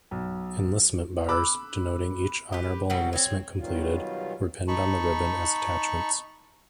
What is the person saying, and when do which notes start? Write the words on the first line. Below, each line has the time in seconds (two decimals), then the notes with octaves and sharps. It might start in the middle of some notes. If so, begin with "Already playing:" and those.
Enlistment bars, denoting each honorable enlistment completed, were pinned on the ribbon as attachments.
0.11 B1
1.28 B5 D6 E6 F#6
2.53 G4 B4
2.90 B2 F#3 G3
3.13 C4 C#5
3.58 B2 D#3 F#3 G3 F4
4.68 D#4 A5 B5 C#6